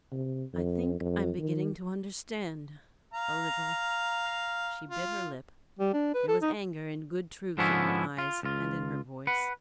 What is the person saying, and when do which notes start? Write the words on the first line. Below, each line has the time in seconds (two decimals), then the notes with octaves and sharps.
"I think I'm beginning to understand--a little." She bit her lip; there was anger in good truth in her eyes and in her voice.
0.12 C3
0.53 F2
1.01 F2
1.39 D#3
3.14 F5 A#5
4.89 F4
5.79 G3
5.94 D4
6.14 B4
6.28 A4
6.42 D#4
7.58 G#2 D3 F3 B3 C#4 E4
8.18 F4
8.43 C#2 F4
9.27 B4 F#5